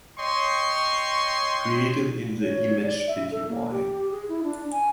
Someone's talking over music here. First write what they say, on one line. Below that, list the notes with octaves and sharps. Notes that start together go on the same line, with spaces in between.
Created in the Image Pty.
C#5 D#5 G5 C6 C#6
C#5
D5
E5
A4
A#3
G4
G#4
E4
D4
G#5